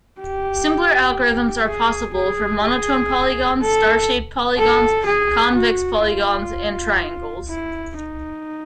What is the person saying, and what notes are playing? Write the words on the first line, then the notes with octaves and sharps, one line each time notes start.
Simpler algorithms are possible for monotone polygons, star-shaped polygons, convex polygons and triangles.
G4
G#4
G#4
G#4
A4
A4
G#4
F#4
F4
E4
D#4